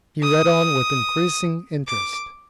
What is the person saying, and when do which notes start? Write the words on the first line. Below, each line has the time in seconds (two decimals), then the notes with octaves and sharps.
He read on with increasing interest.
0.23 D#6
1.87 D6